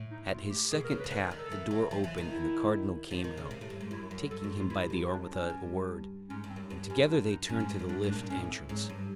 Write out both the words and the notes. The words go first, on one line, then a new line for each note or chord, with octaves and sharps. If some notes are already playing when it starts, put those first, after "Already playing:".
At his second tap the door opened and the Cardinal came out, taking him by the arm without a word; and together they turned to the lift entrance.
Already playing: A2
D#4
F4
G4
B2 G#4
A#4
C#3
B4
C#3
D3 B4
A#4
D#3
A4
E3
F#3
F3
E3
D#3
E4
F3
D#3
C#3
C3
A2
G2
G#2
F#2 E4
F#2
G2 A4
G#2 F#4
G#2 F4
G2 E4
F#2
D4
C#4
G2
G#2 C#4
G2
C4
F#2
G2
F#2 C#4
C#4
D4
D#4
G2 C#4
G#2
G2
F#2
G2 D4
G#2
D4
A#2
A2 C#4
C4
G#2 F#3
G2